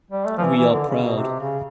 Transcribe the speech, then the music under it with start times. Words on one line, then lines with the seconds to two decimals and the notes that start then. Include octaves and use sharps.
We are proud.
0.11 G3
0.26 A3
0.37 F3
0.40 E3
0.57 E3
0.73 D3
0.88 C#3
1.04 B2
1.19 C3
1.39 C#3